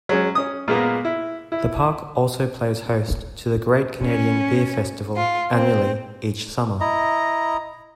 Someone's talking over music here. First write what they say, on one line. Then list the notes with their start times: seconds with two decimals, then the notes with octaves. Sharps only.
The park also plays host to the Great Canadian Beer Festival annually each summer.
0.09 F#3 G#3 C#4
0.35 C#4 D#6
0.68 A#2 G#3 A#3 B3
1.05 E4
1.52 E4
4.02 C#4
5.16 F4
5.50 C4
6.80 E4 D#5 A#5